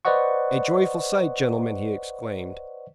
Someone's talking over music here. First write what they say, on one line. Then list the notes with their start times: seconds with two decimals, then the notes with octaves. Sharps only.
"A joyful sight, gentlemen!" he exclaimed.
0.05 B4 C5 D5 D#5 F#5 C#6